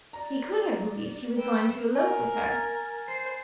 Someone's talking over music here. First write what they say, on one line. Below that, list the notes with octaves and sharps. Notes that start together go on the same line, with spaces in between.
He could have believed he was going to elope with her.
D5 A#5
B4 G5 E6
A#4 G#5
G#6 A6
C5 C7